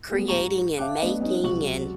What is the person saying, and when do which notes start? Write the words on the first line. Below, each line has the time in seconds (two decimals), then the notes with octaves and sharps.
creating and making and
0.10 G3 A3 B3 G4 G#4
0.28 G#2 G4 A#5 C#6
0.78 E5 F5 G5 A5 D6 F#6
1.03 A3 B3 D4 A4 B4 D#5
1.19 G3 B3 C#4 D#4
1.43 C#2 C3 F#3 F#4 C#6 F#7